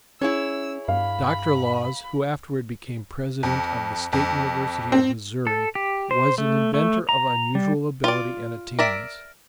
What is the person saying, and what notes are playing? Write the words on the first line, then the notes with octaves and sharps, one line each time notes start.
Doctor Laws, who afterward became President of the State University of Missouri, was an inventor of unusual ability and attainments.
C#4 E4 G#4 C#5 E6
G2 F5 B5
F2
F2
C4
A4
G4
C5
A3
A3
A#5
G3
F4 D5
A#4 D5 E5